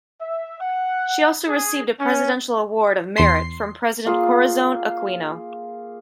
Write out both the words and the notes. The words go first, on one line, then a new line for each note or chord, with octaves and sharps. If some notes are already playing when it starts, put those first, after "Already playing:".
She also received a Presidential Award of Merit from President Corazon Aquino.
E5
F#5
G#4
C#4
E2 C6 C7
A#3 F4 G#4